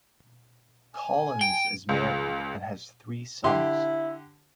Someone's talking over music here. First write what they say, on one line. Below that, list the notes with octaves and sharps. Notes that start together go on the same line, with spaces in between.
Collins is married and has three sons.
G#5
G5 D7
C#2
D3 E4 G4 C6